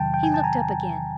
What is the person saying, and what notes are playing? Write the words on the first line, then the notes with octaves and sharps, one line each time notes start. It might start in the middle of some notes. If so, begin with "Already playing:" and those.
He looked up again.
Already playing: E2 C3 D#3 F#3 G5 A5
G5
G#5
A5
G#5 A#5